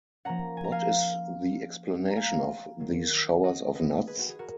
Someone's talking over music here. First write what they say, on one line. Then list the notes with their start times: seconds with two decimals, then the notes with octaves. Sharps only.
What is the explanation of these showers of nuts?
0.25 F3 A#3 C#4 F#5 A#5
0.57 G#5
0.64 A#5
0.72 F5 G#5
2.10 A#5
2.16 F5 G#5
2.80 D#3 F#3 A#3
3.44 D#5 F#5
3.75 B4 D#5
4.07 G#4 B4
4.19 F#4
4.29 G#4
4.39 F#4 A#4